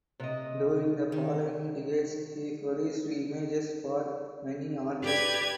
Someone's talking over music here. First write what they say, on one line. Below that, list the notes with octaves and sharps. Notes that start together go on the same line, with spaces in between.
During the following decades he produced images for many artists.
C3 D#5
D#3
G4 B4 D5 G#6